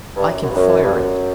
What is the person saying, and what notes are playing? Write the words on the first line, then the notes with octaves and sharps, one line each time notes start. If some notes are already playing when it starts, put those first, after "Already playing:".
I can fire it.
G2
F#2
F#2
G2
F#2
G2
F#2